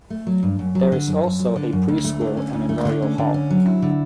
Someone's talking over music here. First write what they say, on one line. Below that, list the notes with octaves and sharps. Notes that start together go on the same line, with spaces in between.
There is also a Pre-school at Memorial Hall.
A3
F#3
G2
F#2
F#3
D3
F#2
F#2
F#3
D3
F#2
D2
A3
D3
C#4
D2
A3
D3
C#4
D3
C#4
F#3
E4
D3